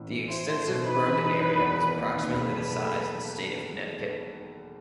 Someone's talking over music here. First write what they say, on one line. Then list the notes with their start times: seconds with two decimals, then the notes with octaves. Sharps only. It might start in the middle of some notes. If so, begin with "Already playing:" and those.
The extensive burned area was approximately the size of the state of Connecticut.
Already playing: A1 A2 E3
0.11 E3
0.30 E4 C5
0.49 A4
0.67 B2
0.85 D#4 B4
1.04 E3
1.23 D#4
1.41 D#3
1.59 E2
1.78 D#3
1.96 D#2 B4
2.15 D#2
2.33 E1
2.52 B1
2.70 A3